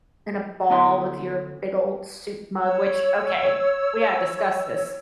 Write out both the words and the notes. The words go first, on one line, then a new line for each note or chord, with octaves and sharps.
in a ball with your big old soup mug, which okay, we gotta discuss this.
D2 B3 E4 D#5 F#5 C6
C#5 E6